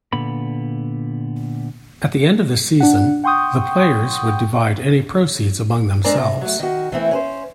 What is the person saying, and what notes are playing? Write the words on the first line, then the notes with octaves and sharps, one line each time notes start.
At the end of the season, the players would divide any proceeds among themselves.
A#2 D3 B3 B5
D4 F#5
F#5 G5 C6 C#6 D#6 G6
G#3 C4 D4 A#4 D5
C3
F#3 A3
D#3 F#4
E3 A3 C4 E4
C#4 B4 C5